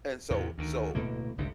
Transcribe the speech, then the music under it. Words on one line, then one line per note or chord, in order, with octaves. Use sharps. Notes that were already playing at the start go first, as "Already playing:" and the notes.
and so so
E2 A2 C3
D2 D#3
D1 B2 A3 A#3
G1 C#2 C3